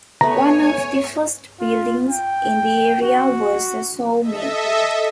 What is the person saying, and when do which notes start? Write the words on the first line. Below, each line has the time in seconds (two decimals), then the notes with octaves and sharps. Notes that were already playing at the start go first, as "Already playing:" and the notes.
One of the first buildings in the area was a sawmill.
0.21 A3 B3 B4 C#5 G#5 A#5
1.60 F4
2.10 G5
3.01 F#4
4.22 A4 D#5 E5